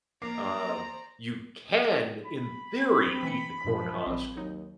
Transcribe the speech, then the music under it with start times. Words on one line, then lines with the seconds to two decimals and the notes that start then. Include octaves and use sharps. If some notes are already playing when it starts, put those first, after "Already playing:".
uh, you can, in theory, eat the corn husk,
0.22 A#3 D5 A#5 D6 C7
0.69 C5
2.26 B5
2.79 C4
3.23 E3 A3 C#7
3.65 G2 A#2 F3 G#3
4.06 A1 G3 C4
4.37 D#2 F#3 D#4